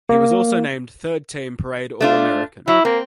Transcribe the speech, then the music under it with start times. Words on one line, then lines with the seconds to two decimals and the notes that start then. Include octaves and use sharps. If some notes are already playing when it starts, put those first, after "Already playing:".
He was also named third-team Parade All-American.
0.09 A#3
2.01 A3 D4 F4
2.68 F#3 E4
2.85 A#3 C4